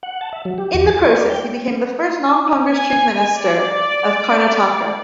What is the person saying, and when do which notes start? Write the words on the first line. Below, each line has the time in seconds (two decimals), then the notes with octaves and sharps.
In the process, he became the first non-Congress chief minister of Karnataka.
0.03 F#5
0.21 A5
0.33 E5
0.45 F#3
0.58 G4
0.74 E2
0.88 A6
1.03 C#6
1.18 D5
1.30 G5
2.71 G#5
3.37 D5